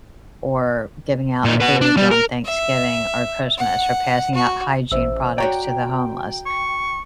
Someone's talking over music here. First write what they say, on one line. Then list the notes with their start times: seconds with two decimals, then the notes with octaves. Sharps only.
or giving out food on Thanksgiving or Christmas, or passing out hygiene products to the homeless.
1.45 A#2 D#4
1.61 F#4 B4
1.81 D4
1.97 G3
2.11 A#4
2.45 E5
3.57 F#5
4.34 F#4
4.92 A1 C5 E5 E6
5.38 F#4 C#5 D5 G5 A#5
6.46 C#6